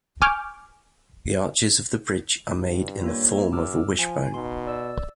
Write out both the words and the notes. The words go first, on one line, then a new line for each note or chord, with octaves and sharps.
The arches of the bridge are made in the form of a wishbone.
G#5 C#6 D6 F6 G6
G2
A#3 F4 C#5
F#2 D6 E6 F6
F3 G#5
B2 D#4 C6
D5 E6